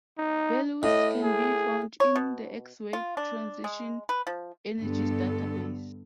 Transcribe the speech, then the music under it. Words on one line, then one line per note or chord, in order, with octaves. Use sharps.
Values can be found in the X-Ray Transition Energies Database.
D#4
A2 D#5
G#4
C#5
B2
F4
D4
G#3
B4
F3
G2 D3 B3 A4